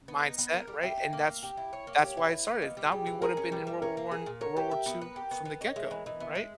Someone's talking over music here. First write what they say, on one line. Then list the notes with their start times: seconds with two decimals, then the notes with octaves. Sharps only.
mindset, right? And that's that's why it started. Now, we would have been in World War I World War II from the get go, right?
0.08 B3
0.23 D#4
0.38 B3
0.53 A#4
0.67 G3
0.83 G4 E5
0.98 D#4
1.13 A#3
1.28 A#3
1.43 G4
1.57 E4
1.73 C#5
1.87 A#3
2.02 G4 C#5
2.17 E4
2.32 B4
2.47 A#3
2.62 B3 D#5
2.77 G3
2.92 G4 G#4
3.07 E3
3.22 G#4 A#4
3.37 C#4
3.52 G3
3.67 G3
3.82 C#4 A#4
3.97 A#3
4.11 G#4
4.26 A#2
4.41 A#4 C#5
4.57 G4
4.71 E5
4.86 B3
5.01 B4
5.16 G4
5.31 B3
5.45 B3
5.61 D#4 C#5
5.76 G#3 E5
5.91 E3
6.06 E3 D#5
6.20 B3 E5
6.35 G#3